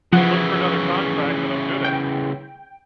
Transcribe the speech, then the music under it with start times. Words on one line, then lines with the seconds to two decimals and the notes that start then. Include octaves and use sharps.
look for another contract that I'm good at.
0.13 C#3 E3 F3 F#5
1.84 G5